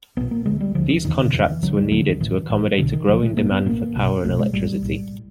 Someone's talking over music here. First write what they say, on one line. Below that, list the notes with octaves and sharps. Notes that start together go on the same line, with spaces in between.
These contracts were needed to accommodate a growing demand for power and electricity.
B1 A#2 B3
A#3
D2 D3 G#3
G3
D2 D3 F3
E3
F#1 E2 C3 D#3
D3
F#1 E2 C3 E3
D2 D3 F#3
G3
D2 D3 F#3
D#3
A1 A2 E3
A1 A2
B1 B2 D3
D#3
B1 B2 F3
A3
A1 A2 A#3
B3
A1 A2 A#3
B1 B2
B1 B2 A3
G#3
B1 A2 G3
B1 A2